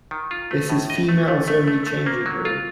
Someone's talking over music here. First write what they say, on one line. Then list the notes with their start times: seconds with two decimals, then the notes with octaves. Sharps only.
This is females only changing room.
0.11 D#3
0.31 F4
0.51 A3
0.70 A2
0.90 D#5
1.09 A3
1.28 A3
1.48 A3
1.68 A3
1.87 A3
2.06 A#3
2.26 F#3
2.45 F4